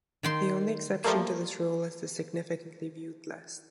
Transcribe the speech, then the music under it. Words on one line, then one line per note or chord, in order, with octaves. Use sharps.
The only exception to this rule is the "significantly viewed" list.
D#3 G5 C6
F3 G3 A3 A#3